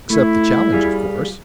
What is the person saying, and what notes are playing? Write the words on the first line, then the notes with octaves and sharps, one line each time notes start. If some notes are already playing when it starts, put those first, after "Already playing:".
"Accept the challenge, of course."
A3 E4
G3 F4 G#4